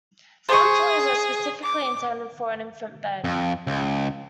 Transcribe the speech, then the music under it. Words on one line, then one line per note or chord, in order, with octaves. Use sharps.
Some toys are specifically intended for an infant bed.
G#4 C5 C#6
D6
F2
C#2